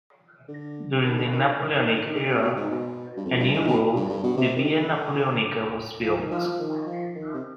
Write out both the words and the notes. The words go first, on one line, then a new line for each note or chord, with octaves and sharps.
During the Napoleonic era a new road, the Via Napoleonica, was built.
D3
D#3
D3
D#3
D3
D#3
D#3
D#3
D3
D#3
D3
C3
B2
G#2
B2
G2
F2
G2
G#2
B2
G2
G2
B2
C3
D#3
D3
F3
D#3
F3
F3
D#3
F3
D#3
C3